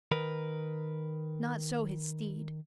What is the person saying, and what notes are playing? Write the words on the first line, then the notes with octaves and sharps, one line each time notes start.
Not so his steed.
D#3 A#4 B4